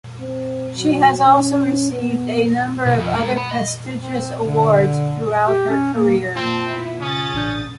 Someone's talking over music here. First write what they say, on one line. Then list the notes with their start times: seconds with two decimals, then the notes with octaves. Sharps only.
She has also received a number of other prestigious awards throughout her career.
0.21 C4
0.77 F#3
1.27 C#4
1.92 B3
2.86 B1
2.99 F2
3.14 G#3 A#4
3.36 F#5 B5
3.51 D#5
4.00 C4
4.46 D3
5.47 G4
5.69 C#4
5.94 A#3
6.36 A#2 C4 F4 A5
6.70 B3 E4
7.01 C#3 C#4 D#6 A6
7.34 A1 D4 G6